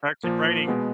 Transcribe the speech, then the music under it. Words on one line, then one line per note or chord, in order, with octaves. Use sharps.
actually raining
A#2 F3 A#3
B2 G#3 B3